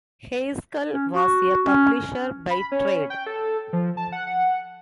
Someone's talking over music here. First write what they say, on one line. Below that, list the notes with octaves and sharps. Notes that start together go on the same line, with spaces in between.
Heiskell was a publisher by trade.
C#4
F#4
C#4
B5
C#4
G5
A4
F3
A5
F#5
F#5